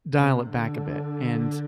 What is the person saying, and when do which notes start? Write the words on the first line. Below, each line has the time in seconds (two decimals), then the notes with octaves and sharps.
dial it back a bit." And
0.15 C3
0.49 D3